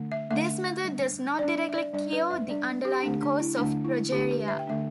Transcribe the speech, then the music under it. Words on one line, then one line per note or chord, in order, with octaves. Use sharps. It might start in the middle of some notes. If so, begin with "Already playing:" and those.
This method does not directly "cure" the underlying cause of progeria.
Already playing: D3 A3 D4
E5
D3 A3 D4 E5
G3 D4
G3 D4 D5
E5
D5
G3 D4 D5
B4
E5
G3 D4 D5
G4
D4
D3 A3
D4
E4
D3 A3 D4
E4
D3 A3 D4 G4
B4
E5
G5
D3 A3 D4 E5